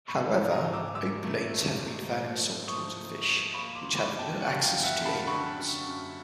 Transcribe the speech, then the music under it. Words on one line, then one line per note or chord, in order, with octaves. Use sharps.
However, opalines have been found in saltwater fish which have no access to anurans.
G#2 B5 C#6
A5 B5
G#2
G#5 A#5
G#2
D6 E6
G#2 D6 E6
A3
A3
G#2
F3
A3
F3 C#6 D#6
A3
F3
A#3 B5 C#6
C6 D6
F#2
D6
B5 C#6
G3
G5 A5
G3 F#5 G#5
F5 G5
F#2
E5 F#5
F#2
A5 B5
D3 B5 C#6
F#2
F#2